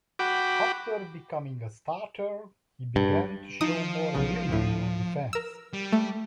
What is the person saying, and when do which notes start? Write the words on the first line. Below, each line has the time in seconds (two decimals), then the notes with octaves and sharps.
After becoming a starter, he began to show more ability on defense.
0.19 F#4 G5 B5 D6
2.96 G2
3.61 F3 D#4 D#6
4.15 B1 C#3
4.49 D2 A2
5.33 A#4 E6
5.73 G3
5.93 A3